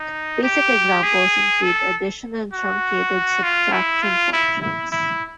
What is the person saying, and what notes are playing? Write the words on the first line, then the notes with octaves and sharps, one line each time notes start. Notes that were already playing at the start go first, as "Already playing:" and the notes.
Basic examples include the addition and truncated subtraction functions.
Already playing: D#4
G4
G#4
A4
F#4
F4
E4
F4
E4
E4
E4